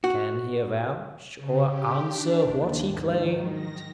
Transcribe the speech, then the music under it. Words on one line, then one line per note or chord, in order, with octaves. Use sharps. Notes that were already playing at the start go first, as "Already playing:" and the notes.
Can he avouch, or answer what he claimed?
F#4
C#3
G4
D4
D#2
G#2
D#3
A#6